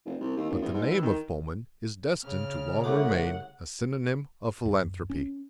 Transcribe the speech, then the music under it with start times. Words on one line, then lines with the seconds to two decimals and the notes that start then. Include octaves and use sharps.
But the name of Pullman is destined to long remain a synonym of philanthropy.
0.05 F1
0.21 C2
0.37 D#2
0.50 F#1
0.62 E2
0.74 G#2
0.90 E3
1.02 D#3
2.23 C#3 F6
2.84 C2 A3 F#5 D6
4.66 F#2
5.10 C#4